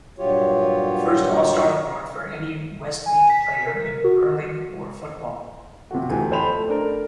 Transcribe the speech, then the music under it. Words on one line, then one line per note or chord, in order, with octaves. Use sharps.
The first All Star award for any Westmeath player in Hurling or football.
G2 A#2 F#3 F4 G4 C#5
G#5
B6
A#4
F#4
C3 F3 F#4
D2 E3 G4 G#5
F2 A4 C5 G5 B5 F7
A3
A3 D4 A#4